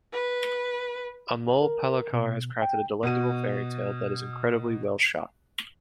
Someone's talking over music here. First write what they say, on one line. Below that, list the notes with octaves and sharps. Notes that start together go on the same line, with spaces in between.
Amol Palekar has crafted a delectable fairytale that is incredibly well-shot.
B4
A#4
B2
G5
B2 F#4 D#7